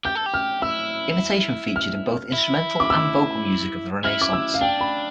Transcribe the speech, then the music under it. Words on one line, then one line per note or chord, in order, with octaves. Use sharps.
Imitation featured in both instrumental and vocal music of the Renaissance.
G4 G6
A4
G4
F6
E4 E6
F6
E4
D6
E6
E4 F6
D6
E6
F5
D4 G5
B5